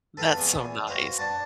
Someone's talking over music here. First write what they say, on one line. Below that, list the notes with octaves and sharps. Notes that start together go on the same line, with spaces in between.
That's so nice.
A4 B4 F5 G5 B5
E2 B3 G#4
F#4 B4 C5 F5 G5
D4 D5 F#5 A5